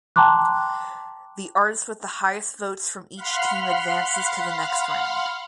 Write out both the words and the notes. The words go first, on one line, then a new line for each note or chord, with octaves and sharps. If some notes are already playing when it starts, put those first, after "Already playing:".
The artist with the highest votes from each team advances to the next round.
G5 A5 A#5 C6 D6 F#6
F5 F#5 B5 C6 F6